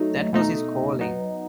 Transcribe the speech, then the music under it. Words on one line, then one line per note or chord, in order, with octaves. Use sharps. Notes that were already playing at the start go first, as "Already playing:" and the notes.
That was his calling.
Already playing: F#3 A3 D#4
B2 A3 D#4
F#3 B3 D#4